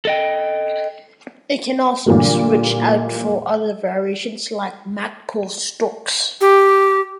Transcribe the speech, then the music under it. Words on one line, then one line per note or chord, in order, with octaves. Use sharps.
It can also be switched out for other variations like Magpul stocks.
A4 D#5 G5
A#2 D3 E3 F#3 G3 A3
G4